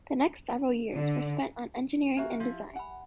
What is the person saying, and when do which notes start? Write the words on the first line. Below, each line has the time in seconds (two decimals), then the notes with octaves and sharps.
The next several years were spent on engineering and design.
0.94 D3
2.17 A#3 F#4 G4 E5 G#5
2.40 F3 E4
2.76 F#5 G#5 B5